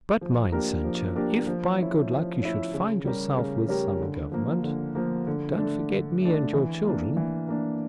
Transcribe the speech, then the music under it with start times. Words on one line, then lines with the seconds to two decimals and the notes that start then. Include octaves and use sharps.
But mind, Sancho, if by good luck you should find yourself with some government, don't forget me and your children.
0.21 F3
0.52 A#3 D4 G4 A#4
0.84 F3
1.16 A#3 D4 G4 A#4
1.47 F3
1.79 C#4 E4
2.11 F3
2.42 C#4 E4
2.74 C#3
3.05 G3 C#4 G4 A#4
3.37 C#3
3.68 G3 C#4 G4 A#4
4.01 D3
4.32 F3 A#3
4.64 D3
4.95 F3 A#3
5.27 D3
5.58 A3 D4
5.90 D3
6.22 A3 D4
6.53 E3
6.85 A#3 D4
7.17 E3
7.48 A#3 D4